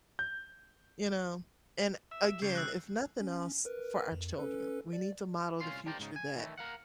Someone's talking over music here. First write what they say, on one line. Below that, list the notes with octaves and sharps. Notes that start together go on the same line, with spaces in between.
you know, and again, if nothing else for our children, we need to model the future that
G6
E5
C#3 G3 C7
E6 F#6
C#4
A#4 B4
F2
C#4 A4 B4
D5
C2 F2 C#4 F4 F5 C6
D4 G4 A#4 C5 D5 G5
G#2 C#3 D#4
G#5
D#3 E3 A3
A#4 F5 F#5